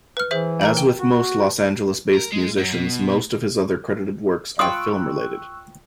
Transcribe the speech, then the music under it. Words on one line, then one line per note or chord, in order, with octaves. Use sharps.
As with most Los Angeles-based musicians, much of his other credited works are film-related.
B4 F6
E3 G#4 C5 E5
A#4 A#5 F#7
G5 G7
F#4
A#4
G#3
F#2
B2
F4 G5 B5 C#6 D#6 E6 F#6